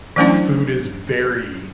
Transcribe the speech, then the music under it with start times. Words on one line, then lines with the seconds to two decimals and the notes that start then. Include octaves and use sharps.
food is very
0.16 E3 F#3 A3 C#4 D4 E4